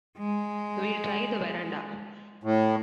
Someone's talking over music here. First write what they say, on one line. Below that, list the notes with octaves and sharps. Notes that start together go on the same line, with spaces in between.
We'll try the verandah.
G#3
A2